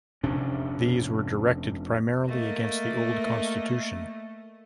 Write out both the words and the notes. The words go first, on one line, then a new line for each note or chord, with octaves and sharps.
These were directed primarily against the old Constitution.
F1 C3 C#4 D4
A3 A#3 D#5